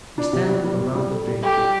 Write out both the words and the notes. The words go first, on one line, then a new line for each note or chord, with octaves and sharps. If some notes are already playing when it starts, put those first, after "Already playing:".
We stand around the grave.
D4
C3
G3
G3
C3
G3
A4
G3
G4 A4
G3